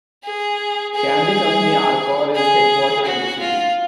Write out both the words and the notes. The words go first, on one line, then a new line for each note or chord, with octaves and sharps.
Candy company Arcor is headquartered in the city.
G#4
G#4
G#4
F#4
F4